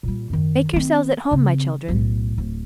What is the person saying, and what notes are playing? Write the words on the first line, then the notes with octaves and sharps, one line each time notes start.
Make yourselves at home, my children.'
A#2 G3
F#2 D#3
D#3 C4
C#3 C4
B1 A2
D1